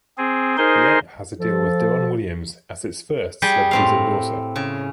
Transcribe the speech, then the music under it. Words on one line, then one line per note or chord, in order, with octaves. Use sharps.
The app has a deal with Deron Williams as its first celebrity endorser.
C4 G#4
D#4 G#4 A#4 C5 C6
F3 A4
G3 G#4 G5
A2 C4 F5
C#3